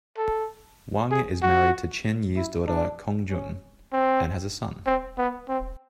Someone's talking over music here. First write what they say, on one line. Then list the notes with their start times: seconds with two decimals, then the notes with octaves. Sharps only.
Wang is married to Chen Yi's daughter Cong Jun and has a son.
0.17 A4
1.11 G#4
1.42 F#4
2.36 E4
2.67 D4
3.30 C#4
3.93 C4
4.86 C4
5.18 B3
5.49 C4